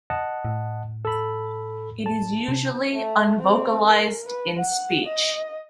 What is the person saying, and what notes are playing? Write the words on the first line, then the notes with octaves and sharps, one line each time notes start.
It is usually unvocalized in speech.
D#5 F#5 A5
A2
A4 B5
A5
C3
A3
C4
A#4
B4
F#5
D#5